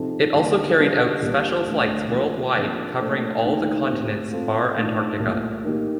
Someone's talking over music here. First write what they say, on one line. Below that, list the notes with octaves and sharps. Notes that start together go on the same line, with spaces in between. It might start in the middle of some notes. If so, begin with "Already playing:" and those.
It also carried out special flights worldwide covering all the continents bar Antarctica.
Already playing: C3 F3 C4 D#4 A4
D#2 D3 G3
D3 G3 D4 F4 A4
C2 A#2 G3 A#3 D4
D2 D3 A3
F3 A#3 F4
C3 F3 A#3 D4
A#2 A3 D4 A4 C5
D#2 D3 A3 D#4
A2 A3 C4 G4 C5
A2 A3 C4 F4 A4
D#3 A3 D4 F4
C2 A#2 A3
D#3 A#3 D#4 G4